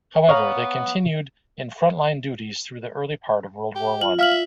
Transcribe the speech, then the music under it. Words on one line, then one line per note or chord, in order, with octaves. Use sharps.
However, they continued in front-line duties through the early part of World War One.
B3 C#5 F5 A#5
G4
F4 F#7
E5 F5 F6 F#7
F#7